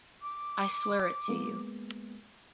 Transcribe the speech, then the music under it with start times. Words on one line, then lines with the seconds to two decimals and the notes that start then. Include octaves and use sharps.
I swear it to you.
0.22 D6
1.28 G#3 A#3 B3